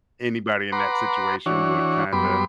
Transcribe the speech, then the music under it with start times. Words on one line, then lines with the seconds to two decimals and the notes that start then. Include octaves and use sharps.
anybody in that situation would kinda
0.72 B4 F#5 A#5 C6 D6
1.46 E3 D4 F#4 C#5
2.13 F#2 G3 B3 B5 C6 D6